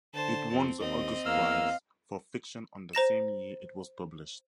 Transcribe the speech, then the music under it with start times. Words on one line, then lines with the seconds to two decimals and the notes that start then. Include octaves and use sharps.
It won the August Prize for Fiction on the same year it was published.
0.14 D3 C5 A5
0.52 F2 C4
0.80 D#2 C4 D#5
1.25 E2 A#3 F5 E6 F6
2.93 C5 A#5 A#6 E7